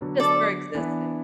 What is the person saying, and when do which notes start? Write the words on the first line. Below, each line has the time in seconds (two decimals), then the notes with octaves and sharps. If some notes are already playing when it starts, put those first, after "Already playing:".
Just for existing.
0.01 D3 F#3 B3
0.20 A4 D5
0.75 E3 B3 D4